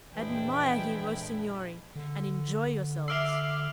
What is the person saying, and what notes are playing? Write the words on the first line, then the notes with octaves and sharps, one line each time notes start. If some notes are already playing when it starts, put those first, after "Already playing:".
Admire him, O signori, and enjoy yourselves.
F2 A#2 E3 G#3 D4 E4 G5
D3
E5 D6 E6 F6 C7 F7